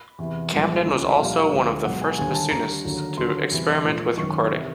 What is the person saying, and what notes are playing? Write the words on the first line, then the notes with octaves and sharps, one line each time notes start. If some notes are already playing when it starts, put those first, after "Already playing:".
Camden was also one of the first bassonists to experiment with recording.
Already playing: B5
E2 C3 E3
C2 A#2 F3 G#3
D2 C#3 F3 G#3
E5
A#1 A#2 G3 F5
D2 D3 F3 G#3
B1 B2 G#3 F#5
G#5
D#2 D3 G3 G#5
A5
D#2 D3 G3 A#5
D#2 D3 F#3
D#2 D3 F#3 C6
E2 C3 E3 G3
A#1 A#2 F3 G#3
G#1 F#2 D#3 C#6
C3 E3